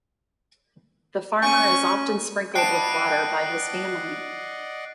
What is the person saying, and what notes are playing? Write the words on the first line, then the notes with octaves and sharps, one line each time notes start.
The farmer is often sprinkled with water by his family.
C#4 G#5 C#6 D#7
D5 D#5 F#5 G5 A5 F#6 C7 D7